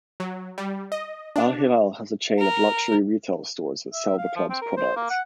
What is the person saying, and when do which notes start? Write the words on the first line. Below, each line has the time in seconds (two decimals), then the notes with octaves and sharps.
Al-Hilal has a chain of luxury retail stores that sell the club's products.
0.20 F#3
0.58 G3
0.92 D#5
1.36 D4
2.39 A#4
3.93 E5
4.18 F5
4.36 F3
4.50 C4
4.61 A#4
4.77 C5
4.96 A#3
5.10 F#5